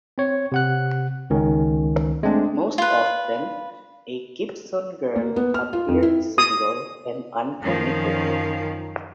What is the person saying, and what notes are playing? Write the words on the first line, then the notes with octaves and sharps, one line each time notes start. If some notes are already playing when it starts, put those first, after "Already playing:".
Most often, a Gibson Girl appeared single and uncommitted.
C4 C#5
C3 F#5 F#6
C#2 D#3 C#4
G#3 A3 C4 D4
F4 B4
A#3
B3
F6
F4
F2
E4
D#6
F#2 D#3 F3 C#4 F5